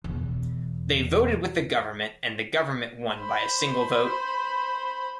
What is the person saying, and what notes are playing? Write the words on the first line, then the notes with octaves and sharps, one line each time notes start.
They voted with the government, and the government won by a single vote.
E1 E2
C5 B5